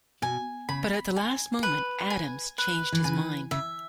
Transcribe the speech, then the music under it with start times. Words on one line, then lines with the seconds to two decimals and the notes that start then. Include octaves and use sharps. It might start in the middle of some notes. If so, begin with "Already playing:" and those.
But at the last moment, Adams changed his mind.
0.22 B2 G#5
0.69 C#3 B5
1.16 G#5
1.63 B4
2.10 G#5
2.58 B4
2.92 E3
3.04 C#3 G#5
3.51 C#3 E5